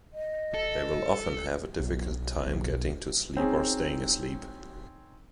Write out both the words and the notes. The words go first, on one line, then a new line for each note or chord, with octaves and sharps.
They will often have a difficult time getting to sleep or staying asleep.
D#5
A4
B1
C4 C#4 D#4 G#4